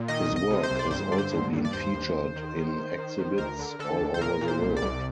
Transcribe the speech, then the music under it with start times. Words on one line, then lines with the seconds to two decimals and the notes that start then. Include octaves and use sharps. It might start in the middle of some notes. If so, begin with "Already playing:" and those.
His work has also been featured in exhibits all over the world.
Already playing: A#2
0.08 D#3 D#5
0.29 C2
0.36 D#5
0.51 C3
0.63 C5
0.71 C2
0.79 D5
0.91 G2 C5
1.12 D3 D5
1.18 C5
1.32 G2
1.53 G2
1.65 D5
1.73 D#2 C5
1.94 D#2
2.15 D#2
2.36 D#3
2.56 D#3
2.76 D#3
2.98 D#3
3.18 D#3
3.38 D2 A#4
3.59 D3
3.79 D3 A4
4.01 D2
4.14 C5
4.21 A#2 A#4
4.41 A#2
4.48 C5
4.62 C2
4.77 D5
4.82 C2